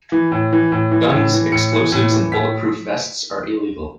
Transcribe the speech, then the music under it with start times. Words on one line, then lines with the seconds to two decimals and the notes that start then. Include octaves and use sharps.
Guns, explosives and bulletproof vests are illegal.
0.12 E3
0.32 A2
0.53 E3
0.72 A2
0.92 E3
1.12 A2
1.32 E3
1.52 A2 C#7
1.72 E3
1.92 A2
2.11 E3
2.32 A2 B6